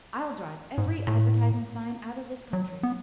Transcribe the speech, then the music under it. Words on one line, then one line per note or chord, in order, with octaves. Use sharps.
"I'll drive every advertising sign out of this country."
G#2
A2
F#3
B3